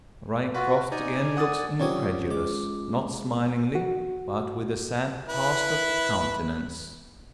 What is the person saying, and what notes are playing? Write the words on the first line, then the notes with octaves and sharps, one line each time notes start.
Ryecroft again looks incredulous; not smilingly, but with a sad cast of countenance.
F4 F#4 B4
D#4 D5 G#5
F#5 D#6 A6
C3 F#3 C4 C#4 F4 C#5 D5 D#6
G#3 D6
F#4
E4 B4